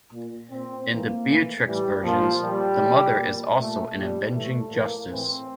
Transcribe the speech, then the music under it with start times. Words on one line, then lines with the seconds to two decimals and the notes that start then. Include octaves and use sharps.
In the Beatrix versions, the mother is also an avenging justice.
0.12 A#2
0.50 A#2 C4
0.88 A2 E3 A#3
1.27 A2 E3
1.65 A2 E3 G3
2.03 A#2 F3
2.41 A#2 G3
2.79 A2 E3
3.18 A#2
3.56 A#2 A3
3.94 A#2 G3
4.32 A2 E3 A3
4.70 A2 E3 A#3
5.08 A2 E3 C4